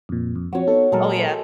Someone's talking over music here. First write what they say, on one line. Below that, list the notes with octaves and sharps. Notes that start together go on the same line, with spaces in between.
Oh, yeah.
F2 A#2
F2
F3 C4 F#4 C#5
B3 D#4 A4
A#2 F#3 G#3 A4 A#4